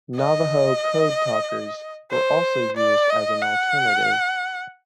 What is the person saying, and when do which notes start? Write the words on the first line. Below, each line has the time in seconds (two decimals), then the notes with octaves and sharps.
Navajo code talkers were also used as an alternative.
0.17 D#5
2.11 C5
2.77 D5
3.10 D#5
3.42 F#5